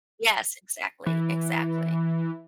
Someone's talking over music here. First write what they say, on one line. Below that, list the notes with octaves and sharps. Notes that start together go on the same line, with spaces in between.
yes, exactly. Exactly.
E3